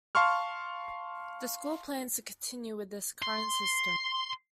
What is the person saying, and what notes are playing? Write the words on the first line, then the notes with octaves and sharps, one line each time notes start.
The school plans to continue with this current system.
F5 A5 C6 C#6 F6
C6